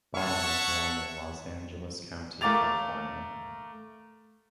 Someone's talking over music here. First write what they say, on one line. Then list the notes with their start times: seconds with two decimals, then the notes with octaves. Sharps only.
Bottum was born in Los Angeles County, California.
0.16 C#5 E5 F#5 A5 C#6
2.41 A3 A#4 F5 D6 A6 F7